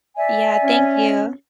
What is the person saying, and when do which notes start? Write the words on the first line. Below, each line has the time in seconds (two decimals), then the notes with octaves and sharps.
Yeah, thank you.
0.16 D5 E5 G#5
0.63 C#4